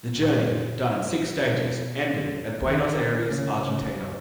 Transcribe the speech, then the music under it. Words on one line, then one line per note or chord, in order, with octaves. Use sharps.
The journey, done in six stages, ended at Buenos Aires, Argentina.
A#2
B2
D#3
C#3
C#3